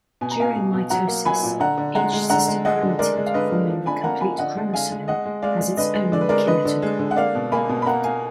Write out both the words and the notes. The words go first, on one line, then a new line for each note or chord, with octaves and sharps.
During mitosis, each sister chromatid forming the complete chromosome has its own kinetochore.
B2 G#5
A#5
B2 F5 G#5
B2
B2
F#3 F#5 A#5
A#3
F#3 G#5 B5
A#2
D3 F#5 A#5
D3
G#3 F#5 A#5
G#3
D3 F#5 A#5
G#3
G#3 D#5 F#5
D3
G#3 A#4 D5
G#3
F5
D3 B4 D#5
D3
F3
D3 G#5 B5
A#3 F#5 A#5
F3 G#5 B5
D3 D#5 F#5
G#3
D3 F5 G#5
G#3
G#3 D#5 F#5
G#3
G#3 D5 F5
G#3
D3 B4 D#5
G#3
D3 D5
B4
G#3 A#4 D5
D3 B4 D#5
D3
G#3
D3
F#5
A#3 D5 F5
B2
A#3 G#5 B5
B2
B5
A#3 F#5 A#5
A#3 F5 G#5